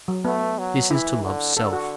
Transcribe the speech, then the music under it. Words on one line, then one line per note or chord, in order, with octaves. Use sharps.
This is to love self.
F#3
A3 B3
F#3
E3 E4
D3
D3 A4
F#4